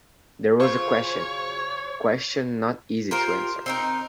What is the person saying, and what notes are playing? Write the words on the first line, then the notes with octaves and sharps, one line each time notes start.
There was a question — a question not easy to answer.
C#3 F#3 F4 C5 C#5
F4 G4 A#4 C5
C4 D#4 A#4